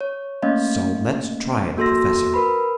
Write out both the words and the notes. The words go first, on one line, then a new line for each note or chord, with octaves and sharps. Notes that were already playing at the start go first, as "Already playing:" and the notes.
"So let's try it, professor."
C#5
A3 A#3 C#4 D#5 F5
A#3 F#4 A4 C6 E6 A#6
A#4 B4 B5